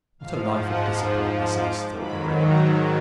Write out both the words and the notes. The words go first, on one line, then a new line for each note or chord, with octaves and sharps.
"What a life of discipline this is!" thought Maria.
G#2 F3 F5
F#5
D6
G#2 D#3 F#3 B5
A#5